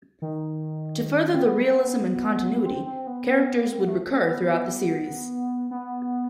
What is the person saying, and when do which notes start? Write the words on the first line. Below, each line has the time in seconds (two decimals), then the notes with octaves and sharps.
To further the realism and continuity, characters would recur throughout the series.
0.22 D#3
1.34 C4
1.44 B3
2.65 C4
2.86 C4
3.07 B3
3.72 C4
3.80 B3
3.88 A3
4.19 B3
5.71 B3